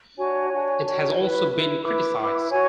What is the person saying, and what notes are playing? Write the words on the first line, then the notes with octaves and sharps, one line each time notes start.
It has also been criticised.
D4 F#4 C#5 G#5
D4 F#4 C#5
D4 F#4 C#5
E4 B4
E4 B4
E4 B4 D6
E4 B4
F#4 C#5 G#5